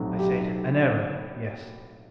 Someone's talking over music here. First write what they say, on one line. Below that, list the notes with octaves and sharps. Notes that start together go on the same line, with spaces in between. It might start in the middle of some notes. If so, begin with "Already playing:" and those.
I said, "An error--yes."
Already playing: B1 A2 F#3 C4
G4